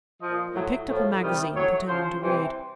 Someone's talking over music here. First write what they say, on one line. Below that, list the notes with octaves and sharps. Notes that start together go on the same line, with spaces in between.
I picked up a magazine, pretending to read.
A#2 F3 D#5
A2 F#3
A2 F3
C3 D#3 G3
A2 F#3 C#5
C#3 F3 C5
C3 E3 G3 C5